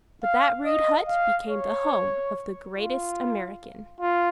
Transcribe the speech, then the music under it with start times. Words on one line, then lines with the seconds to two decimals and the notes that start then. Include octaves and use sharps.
But that rude hut became the home of "the greatest American."
0.23 F5
0.65 D#5
1.07 F5
1.49 C#5
2.75 F4
4.01 F4